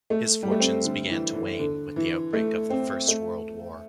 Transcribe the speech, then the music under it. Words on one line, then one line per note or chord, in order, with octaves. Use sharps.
His fortunes began to wane with the outbreak of the First World War.
A3
G3
A3
C4
D3
E3
E3
D3
E3
A3
C4
A3